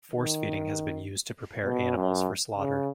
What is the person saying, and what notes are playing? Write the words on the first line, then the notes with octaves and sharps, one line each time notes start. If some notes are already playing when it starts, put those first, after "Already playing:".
Force-feeding has been used to prepare animals for slaughter.
D#3
B2
F#2
C#3